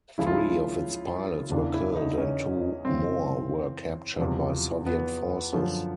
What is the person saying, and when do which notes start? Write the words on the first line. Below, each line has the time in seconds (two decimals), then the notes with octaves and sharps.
Three of its pilots were killed and two more were captured by Soviet forces.
0.18 C#2 C#3 F3 E4
0.27 F4
0.35 E4
1.51 E2 C#3 E3 D4
1.74 E4
1.90 E4
1.96 D#4
2.18 C#4
2.85 F#2 C#3 E3 C4
4.19 E2 C3 F3
4.86 B3
5.53 F#2 D3 F3